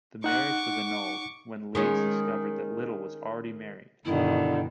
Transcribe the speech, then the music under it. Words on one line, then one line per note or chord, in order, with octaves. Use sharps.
The marriage was annulled when Leeds discovered that Little was already married.
D#4 F#5 C#6 D6 F#6
D#3 G#3 C#4
G2 B2 D3 D#3 E4